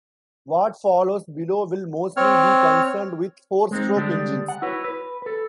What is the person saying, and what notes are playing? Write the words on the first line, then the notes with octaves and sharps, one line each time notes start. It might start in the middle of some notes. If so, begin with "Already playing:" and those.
What follows below will mostly be concerned with four-stroke engines.
C4 C#5 F6
G#3 C4 D#4
D3 G3 G#3 D4
F#5
E4 F#4 B4 C#5
B4
A4 B4